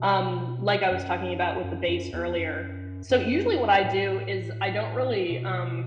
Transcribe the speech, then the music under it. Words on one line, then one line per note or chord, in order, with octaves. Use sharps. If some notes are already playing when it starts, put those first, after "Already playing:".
um, like, I was talking about with the bass earlier. So usually what I do is I don't really, um
Already playing: B2
F#2
F#2
F#2
E2
F#2
F#2
A2
B2